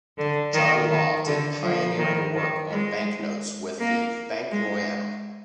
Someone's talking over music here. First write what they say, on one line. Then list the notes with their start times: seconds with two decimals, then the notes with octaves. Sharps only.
John Law did pioneering work on banknotes with the "Banque Royale".
0.18 D3
0.54 D#3
0.91 D#3
1.27 D3
1.63 F3
1.98 D#3
2.35 D#3
2.70 G#3
3.79 A#3
4.51 G#3